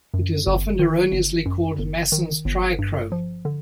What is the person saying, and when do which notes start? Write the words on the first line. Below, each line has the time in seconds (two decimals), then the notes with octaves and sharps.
It is often erroneously called Masson's trichrome.
0.14 F#2
0.47 G1
0.79 D#3
1.12 G1
1.46 F#2
1.78 G1
2.12 D#3
2.45 G1
2.79 G2
3.12 F3
3.45 D3